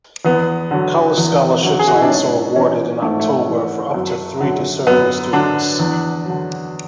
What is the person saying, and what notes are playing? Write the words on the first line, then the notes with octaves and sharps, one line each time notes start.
College scholarships are also awarded in October for up to three deserving students.
E2 B3
D3 F#3
E2
D3 F#3
G#4
F#4
E4
D4
G#2 C#4
E3 C#4
G#2 A3
A3
E3
F#2
D3 F#3
F#2 B3
D3 F#3 D4
E2
D3 F#3